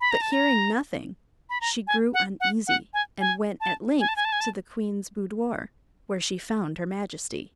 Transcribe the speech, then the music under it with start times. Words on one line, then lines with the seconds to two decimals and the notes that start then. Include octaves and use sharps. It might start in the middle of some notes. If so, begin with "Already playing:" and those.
But hearing nothing, she grew uneasy, and went at length to the queen's boudoir, where she found her Majesty.
0.01 B5
0.11 A#5
0.21 A5
0.32 A#5
1.50 B5
1.61 A#5
1.87 G#5
2.14 F#5
2.40 F#5
2.67 F#5
2.94 G#5
3.20 G#5
3.61 A5
4.00 G#5
4.08 A5
4.16 G#5
4.25 A5
4.32 G#5
4.40 A5